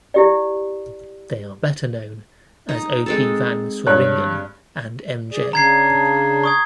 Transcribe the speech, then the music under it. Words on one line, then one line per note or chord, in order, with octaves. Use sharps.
They are better known as O. P. Van Sweringen and M. J.
E4 G4 D5
D#4
G#3 C4 A4
G2 C#5 F#6
G#4 D5
C#3 D4 A#5 G#6 C7
C#6 D#6 G#6